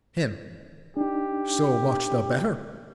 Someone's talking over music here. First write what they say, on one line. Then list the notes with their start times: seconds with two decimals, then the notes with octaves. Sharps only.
HIM: So much the better.
0.97 D4 D#4 G4